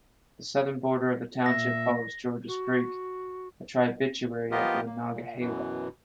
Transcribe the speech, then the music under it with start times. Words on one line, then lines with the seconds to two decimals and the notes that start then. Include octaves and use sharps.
The southern border of the township follows Georges Creek, a tributary of the Monongahela.
1.46 A#2 E5 A#6
2.48 F#4
4.51 F3 B3 F4 G4 A#4 D#5
4.86 A#3
5.11 A#2
5.40 F#2 B2 E3